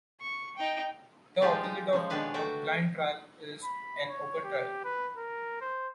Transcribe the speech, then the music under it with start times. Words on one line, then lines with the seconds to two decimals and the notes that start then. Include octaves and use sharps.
The opposite of a blind trial is an open trial.
0.21 C#6
0.57 D#4 G5
1.41 F3 G#3 D#4 F4 G4 D5
1.63 D#4
1.93 C#3 F3 G#3
2.10 B2 D#3 G#3 D4 B4 F5
2.34 A3 F#4 E5 G5 A5
3.64 B5
4.09 C#5
4.44 G4
4.84 B4
5.17 A#4
5.61 C5